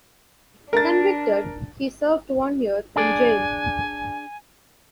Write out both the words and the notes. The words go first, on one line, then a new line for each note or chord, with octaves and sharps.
Convicted, he served one year in jail.
D4 A#4 A6
D4 G#4 D5 G#5